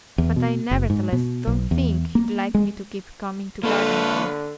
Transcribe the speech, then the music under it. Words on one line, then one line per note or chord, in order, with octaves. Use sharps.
"But, I nevertheless don't think he'd like me to keep coming to Gardencourt."
E2
B2
F#1
G#2
B2
B1
E2
A#3
G#3
D3 A#3 F4 A4 B4 C#5